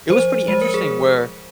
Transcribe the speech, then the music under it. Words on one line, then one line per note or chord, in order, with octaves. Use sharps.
it was pretty interesting where
F3 C5
G#3 C5
A#4
G#4